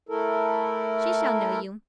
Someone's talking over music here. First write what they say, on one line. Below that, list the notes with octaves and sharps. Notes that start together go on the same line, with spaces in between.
'She shall know you.
A3 E4 A4 A#4